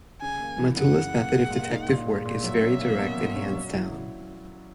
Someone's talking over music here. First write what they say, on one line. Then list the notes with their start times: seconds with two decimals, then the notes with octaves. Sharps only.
Matula's method of detective work is very direct and hands-down.
0.21 C#3 G#5
0.39 A#3
0.58 E3
0.76 F#2 F#5
0.95 C#3
1.14 A#3
1.33 G#3
1.50 A#2
1.69 D#4
1.88 A#2
2.07 G#3
2.25 A#2
2.43 F#3 E5
2.62 C#4
2.80 A#3
2.98 B2
3.17 F#3
3.36 C#4
3.55 F#3
3.73 E4